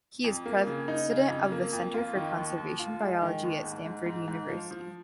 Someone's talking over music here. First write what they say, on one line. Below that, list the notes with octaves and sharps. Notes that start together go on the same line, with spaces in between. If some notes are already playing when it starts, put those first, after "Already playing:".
He is president of the Center for Conservation Biology at Stanford University.
F2
A#3
C#3
D#4
C#3
F2
A#3
F2
F4
D#3
D#2
D#2
F4
G#3
D#3
D#2
G#2
G#2
G#2
G#2
F3
F3